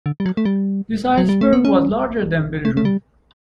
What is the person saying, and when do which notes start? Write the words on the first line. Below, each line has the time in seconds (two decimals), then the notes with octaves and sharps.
This iceberg was larger than Belgium.
0.06 D3
0.20 G3
0.26 F#3
0.37 A3
0.45 G3
1.18 F#3
1.29 G3
1.41 A3
1.53 B3
1.65 C#4
2.65 A3
2.77 A3
2.85 G3